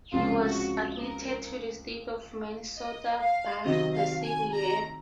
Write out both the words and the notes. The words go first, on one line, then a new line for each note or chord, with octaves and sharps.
He was admitted to the State of Minnesota bar the same year.
C#2 C3 F3 G#3 C#4 F4
F#4
A#4
D#5
F5
C3 D#3 F#3 C4 D#5
F5
G#5
A#5